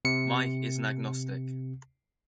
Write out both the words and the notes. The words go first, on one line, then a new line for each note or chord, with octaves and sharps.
Mike is an agnostic.
C3 C#7